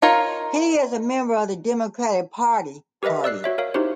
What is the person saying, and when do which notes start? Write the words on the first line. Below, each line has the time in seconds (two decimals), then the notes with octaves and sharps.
He is member of the Democratic Party party.
0.02 D#4 F4 A#4 C#5
3.03 G4 A#4 B4 D#5 E5
3.24 D5 E6 F#6 C7
3.44 F#4 C#5 E5
3.58 A#4 C#5 F5
3.74 D#4 E4 F#4 G4 C5